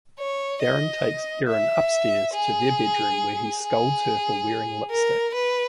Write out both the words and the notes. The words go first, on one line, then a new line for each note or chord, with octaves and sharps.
Darren takes Erin upstairs to their bedroom where he scolds her for wearing lipstick.
C#5
D#5
E5
G#4
G#4
A#4
B4